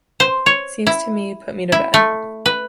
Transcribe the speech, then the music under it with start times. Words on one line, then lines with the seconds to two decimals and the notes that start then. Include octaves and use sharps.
Seems to me you put me to bed.
0.20 C5
0.46 C#5
0.87 E4
1.72 E4
1.94 A3
2.46 B4